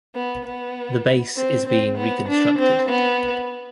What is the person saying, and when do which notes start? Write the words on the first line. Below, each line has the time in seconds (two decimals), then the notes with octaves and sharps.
The base is being reconstructed.
0.15 B3
0.45 B3
1.37 C4
1.67 C4
1.98 B3
2.28 D4
2.58 C4
2.89 B3